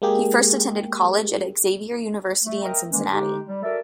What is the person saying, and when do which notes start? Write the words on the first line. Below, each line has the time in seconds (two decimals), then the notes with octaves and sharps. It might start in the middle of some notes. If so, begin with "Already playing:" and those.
He first attended college at Xavier University in Cincinnati.
0.02 G#3 A#3 G4 G#4
2.44 A3
2.63 A#4 D#5 E5 G5 A#5
2.91 D#3 E3 G3 G#3 A#3 C#4
3.12 D3 G#3 D#4 G4
3.46 G3
3.63 F#4 A4 A#4 D5 E5